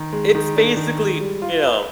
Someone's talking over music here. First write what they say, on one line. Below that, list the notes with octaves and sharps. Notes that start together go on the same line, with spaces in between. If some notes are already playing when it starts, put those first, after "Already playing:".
it's basically, you know
Already playing: D#3
G#3
D#3
D4
D#3
G#3
G3
F4
B4